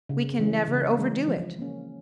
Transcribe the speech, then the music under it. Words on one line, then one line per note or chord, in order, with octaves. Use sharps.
We can never overdo it.
C#3
E3 G#3 C#4
C#3
E3 G#3 C#4
F3
A#3 C#4